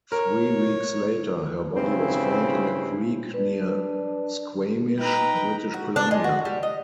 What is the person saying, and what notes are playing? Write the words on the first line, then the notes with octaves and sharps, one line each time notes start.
Three weeks later, her body was found in a creek near Squamish, British Columbia.
A#4 C#5
G2 C#3 C4 E4
D4 B4
D#4 B4 G5 A#5
F#4
D4
G#3
F#4
G3
D#5